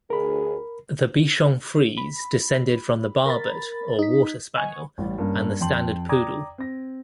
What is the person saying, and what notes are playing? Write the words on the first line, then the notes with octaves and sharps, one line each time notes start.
The Bichon Frise descended from the Barbet or Water Spaniel and the Standard Poodle.
D2 G#4 A#4 B5
B5
A#4 B5 A6
D#4 B6
D#5 F#5 G#5 C#6
A1 G3
G2 G3 A#3 C#4
F2 G5 A5 C6 F#7
D5 G5 A#5 D6 D#6 G#6
C4 A#6